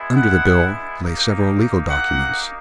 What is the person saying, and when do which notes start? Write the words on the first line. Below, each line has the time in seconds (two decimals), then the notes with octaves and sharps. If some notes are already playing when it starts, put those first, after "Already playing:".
Under the bills lay several legal documents.
Already playing: G#3 B3 E4
0.16 F#5
1.03 A#3 D#4 G4
1.90 F#5